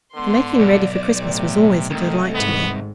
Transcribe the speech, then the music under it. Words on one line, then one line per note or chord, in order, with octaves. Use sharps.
The making ready for Christmas was always a delight to me.
G#2 D3 B3 C6
B1 D5
A2 C3
C2 D#3 A3 D#5
G#1 G#2 B3